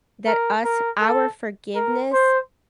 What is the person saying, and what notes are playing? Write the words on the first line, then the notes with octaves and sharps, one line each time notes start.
that us our forgiveness
A#4
A#4
A4
A#4
C5